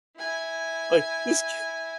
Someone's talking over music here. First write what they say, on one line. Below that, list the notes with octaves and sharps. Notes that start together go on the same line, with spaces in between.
Like, this kid
E4 G#5